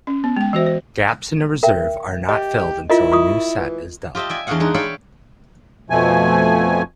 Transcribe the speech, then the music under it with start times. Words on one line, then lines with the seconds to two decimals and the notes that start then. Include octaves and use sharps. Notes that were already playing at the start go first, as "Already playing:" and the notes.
Gaps in the reserve are not filled until a new set is dealt.
0.07 C#4
0.24 B3
0.36 G#3 G5
0.53 E3 F#4 C5 E5
0.66 C5
1.63 A#4 E5 G5
2.29 G4 D#5
2.90 E4 F4 A#4 D#5
3.12 F4 C#6 D#6
3.58 E3
4.15 F4 G4 D#5 E5 A5
4.30 D5 E5 G#5
4.47 E2 D4 C#5 D#5 F5 F#5
4.60 G#3 D4 D#4
4.74 C#5 D5 E5 F5 G5 B5
5.90 F2 B2 F3 A3 G#5